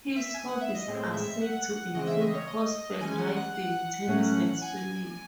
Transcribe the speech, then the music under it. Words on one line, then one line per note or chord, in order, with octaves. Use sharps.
His hobbies are said to include horseback riding, tennis and swimming.
E5
G#5
F#5
E5
D#5
A2 G#3 C4
E5
F#5
C#3 E3 G#3 C4 D#5
E5
D#5
C#5
D#5
D#5
E3 G#3 C#4 G#5
F#5
F#5
F#5
A2 F#3 A3 C#4
G#5